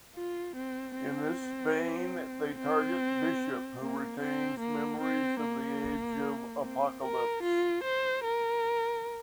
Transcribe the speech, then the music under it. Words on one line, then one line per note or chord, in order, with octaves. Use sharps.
In this vein, they target Bishop, who retains memories from the Age of Apocalypse.
F4
C4
C4
C4
A#3
C4
A#3
C4
A#3
C4
A#4
F4
C5
A#4